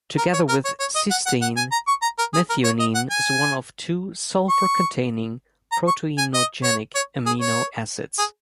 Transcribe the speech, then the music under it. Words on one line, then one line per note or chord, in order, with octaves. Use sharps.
Together with cysteine, methionine is one of two sulfur-containing proteinogenic amino acids.
A#4
C#5
A#4
C#5
C#5
D#5
F#5
F#5
F#5
G#5
A#5
C#6
A#5
A#4
G#4
A#4
C#5
D#5
F#5
G#5
C#6
A#5
C#6
G#5
D#5
C#5
C#5
G#4
C#5
G#4